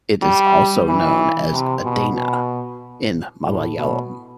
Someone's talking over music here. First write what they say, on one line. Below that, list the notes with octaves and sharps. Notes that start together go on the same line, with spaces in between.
It is also known as "edana" in Malayalam.
G3
E3
C3
B2
B2
A2
B2